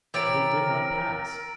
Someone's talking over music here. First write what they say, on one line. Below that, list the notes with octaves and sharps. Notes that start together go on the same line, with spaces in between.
But it did not pass.
E3 C4 G4 A#4 C#5 E6 A6 D7